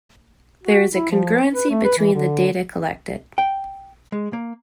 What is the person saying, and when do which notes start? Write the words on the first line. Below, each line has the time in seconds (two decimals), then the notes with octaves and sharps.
There is a congruency between the data collected.
0.63 F#4
0.92 E4
1.11 F3
1.53 B4
1.70 A3
1.84 B4
1.98 E3
2.14 D3
3.38 G5
4.12 G#3
4.33 A#3